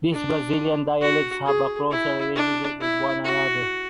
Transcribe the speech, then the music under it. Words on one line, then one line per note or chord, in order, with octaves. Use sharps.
These Brazilian dialects have a closer relationship with one another.
D4
F#4
G#4
E4
D4
E4
F#4